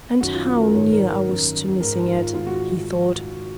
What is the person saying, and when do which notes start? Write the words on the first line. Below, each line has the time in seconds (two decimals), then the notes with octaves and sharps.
"And how near I was to missing it!" he thought.
0.21 F#2 D#3 F#4
0.34 F4
0.48 F#4
0.61 A#4
0.74 G#2 D#3 C#5
0.92 A#4
1.10 A#4
1.28 F#2 D#3
1.80 G#2 D#3 A#4
2.08 F4
2.33 G#2 D#3 F4
2.47 F#4